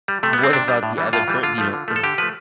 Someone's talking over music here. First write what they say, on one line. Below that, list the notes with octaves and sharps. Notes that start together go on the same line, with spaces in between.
what about the other per you know, is
G3
C3 A3
G3 B3
C4
C3 D4
G3
A2
E3 G3
A2 F4
E3 G3
D3 F4
F3 A3
D3
F3 A3
A4
D3 G4
F3 A3 B4